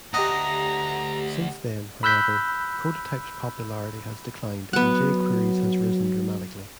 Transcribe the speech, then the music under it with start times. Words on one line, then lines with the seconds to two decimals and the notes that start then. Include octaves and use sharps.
Since then, however, Prototype's popularity has declined, and jQuery's has risen dramatically.
0.14 D2 G4 D#5 F#5 A#5
2.03 B5 E6 F#6 G6 B6
4.73 F#3 B3 F#5